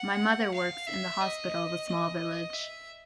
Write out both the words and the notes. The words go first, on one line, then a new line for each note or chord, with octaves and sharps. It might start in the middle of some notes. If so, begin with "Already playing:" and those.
My mother works in the hospital of a small village.
Already playing: F#5
F5
E5
D#5
D#5
E5